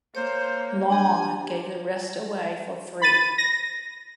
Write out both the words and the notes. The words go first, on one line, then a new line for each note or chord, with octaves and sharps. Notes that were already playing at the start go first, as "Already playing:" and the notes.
Long gave the rest away for free.
A#3 C5 C#5
D4 G4 G#5
B5 A6 D#7
A#6